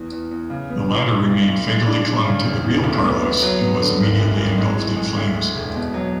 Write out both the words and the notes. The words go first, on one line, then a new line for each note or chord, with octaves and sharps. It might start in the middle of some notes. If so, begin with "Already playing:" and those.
The latter remained fatally clung to the “Real Carlos” and was immediately engulfed in flames.
Already playing: E2
E2
E2
C#3
B3
E3
A2
B1
B1
G#3
D4
D4
C#3
E1
E2
D2
B3
B3
F#3
B3
D3
G#1
F#2
G#1
G#3
A2
G#3
D2
G#3
E1
B2
F#3